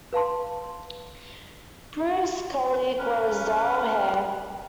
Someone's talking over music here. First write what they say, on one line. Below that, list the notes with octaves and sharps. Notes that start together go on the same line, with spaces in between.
Prue's colleague was Darrell Hair.
B4 F5 A5 C6
C#4 A#4 B4